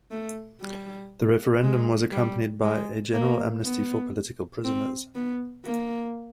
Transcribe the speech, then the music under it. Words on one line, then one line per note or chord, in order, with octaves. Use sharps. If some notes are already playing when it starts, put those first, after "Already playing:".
The referendum was accompanied by a general amnesty for political prisoners.
A3
G3
G#3
G3
G#3
A#3
B3
C4
B3
A#3